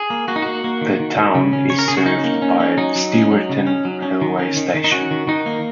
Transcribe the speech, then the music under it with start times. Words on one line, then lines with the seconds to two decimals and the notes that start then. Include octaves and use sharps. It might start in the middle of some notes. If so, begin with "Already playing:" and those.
The town is served by Stewarton railway station.
Already playing: G#4
0.10 A#3
0.28 A#3 F#4
0.36 D#4
0.42 A#3 F#4
0.64 A#3
0.81 D#3
1.00 D#3
1.17 D#3
1.35 C#3
1.53 C#4
1.70 C#3 C#5
1.79 A#4
1.88 C#3 G#4
1.97 F#4
2.06 C#4 D#4
2.24 A#3
2.42 C#4
2.60 C#4
2.78 F#3 D#4
2.96 F#3
3.13 C#4
3.31 F#3
3.49 C#3
3.67 C#4
3.85 F#3
4.02 C#4
4.21 D#3
4.39 C#4
4.57 D#3
4.74 D#3
4.84 D#4
4.92 C#4 F#4
5.11 D#3
5.27 D#3 D#4
5.46 A#3